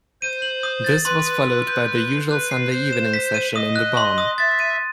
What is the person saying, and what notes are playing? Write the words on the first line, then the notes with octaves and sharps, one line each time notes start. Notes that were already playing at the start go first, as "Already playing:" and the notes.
This was followed by the usual Sunday evening session in the Barn.
C5 D#7
F#7
D#6
A6
B4 C6
D#6
E6
G6
F#6
C7
B4 F#6
C7
C5 C7
E7
B6
D#7
D#5 D#6
F#6
C6
D#6
E5 A6
D#7